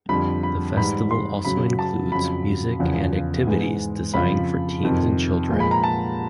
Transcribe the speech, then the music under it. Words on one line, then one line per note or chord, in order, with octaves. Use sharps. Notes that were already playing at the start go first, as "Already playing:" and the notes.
The Festival also includes music and activities designed for teens and children.
F2 D3 G3 B5
B5
G#2 E3 G3 B5
C6
F#2 C#3 F#3 B5
A5
F2 C#3 F#3 B5
E2 C#3 F3
G#2 E3 G#3
F2 C#3 F3 B5
F2 C3 D#3
A#2 F3 G#3
B5
A#5
A5